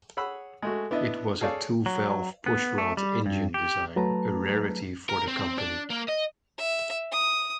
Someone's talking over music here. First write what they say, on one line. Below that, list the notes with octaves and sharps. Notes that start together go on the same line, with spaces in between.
It was a two-valve pushrod engine design, a rarity for the company.
G#4 C#5 F#5 B5 E6
G#3 A3 F#4
B3 D4 E4 D#5
G#4 A4 C#5 D5 F5
F#3
B3
A3
G3
G2
G4
F#3 A3 B4 A5 A#5
A#4
C4
D4
A#3
D#5
E5
D#6